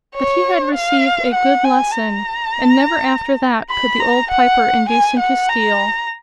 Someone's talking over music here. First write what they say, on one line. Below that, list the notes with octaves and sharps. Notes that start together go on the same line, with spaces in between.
But he had received a good lesson and never after that could the old piper induce him to steal.
C#5
F5
F#5
G#5
A#5
B5
A#5
F#5
G#5
F#5
A#5